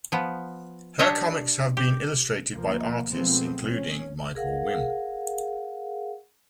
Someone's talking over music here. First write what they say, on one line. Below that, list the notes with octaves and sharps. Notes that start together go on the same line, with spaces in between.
Her comics have been illustrated by artists including Michael Wm.
F3 B3
D4 G4 C#5 D#5 E5
G4
D2 F3 A#3
B2 F3 G#3 A3 B3 C4
C#4
G#4 A#4 F5 F#5